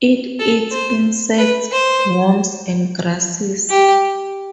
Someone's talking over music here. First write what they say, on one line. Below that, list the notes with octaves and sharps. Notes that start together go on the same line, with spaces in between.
It eats insects, worms and grasses.
A4
C5
B4
C5
G4